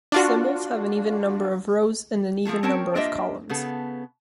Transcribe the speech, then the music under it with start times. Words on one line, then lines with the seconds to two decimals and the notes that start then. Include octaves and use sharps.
Symbols have an even number of rows and an even number of columns.
0.12 D4 F4 F#4
2.45 F3 A3 G#4 A4
2.63 C4 C#4 A#4 C#5 G5 A5
2.95 A#3 D4 F4 G4 D#5 E5
3.49 C#3 B3 G#4 A4